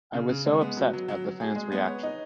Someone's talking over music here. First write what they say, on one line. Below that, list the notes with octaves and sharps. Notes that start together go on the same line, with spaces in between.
I was so upset at the fans' reaction.
C#3
C#3
G#3
B3
F#3
F#3
F#3
F#3
G#4
G#3
B3
C#5
D#4